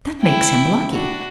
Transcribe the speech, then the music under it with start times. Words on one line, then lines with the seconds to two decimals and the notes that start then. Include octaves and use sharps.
"That makes him lucky."
0.21 E4 G5
0.92 D4 F#4